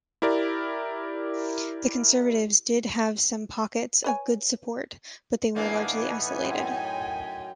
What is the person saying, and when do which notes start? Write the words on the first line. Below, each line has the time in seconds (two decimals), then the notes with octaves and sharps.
The Conservatives did have some pockets of good support, but they were largely isolated.
0.22 E4 G4 A#4 D5
4.04 B4 C#5 G#5
5.56 A2 E3 A#3 B3 D4 D#4 G#5
6.44 F#2 G5